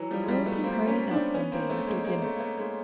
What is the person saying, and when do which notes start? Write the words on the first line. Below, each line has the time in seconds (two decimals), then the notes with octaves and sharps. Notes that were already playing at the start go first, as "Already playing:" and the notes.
Earle came hurrying up one day after dinner.
Already playing: E3 F#3
0.11 F3 G3
0.23 G#3
0.28 F3 G3
0.46 A3 B3
0.64 A#3 C4
0.87 B3 C#4
1.11 C4 D4
1.34 B3 C#4
1.52 A#3 C4
1.69 A3 B3
1.87 G#3 A#3
2.04 G#3 A#3
2.22 A3 B3
2.36 A#3
2.40 A3 B3
2.57 G#3 A#3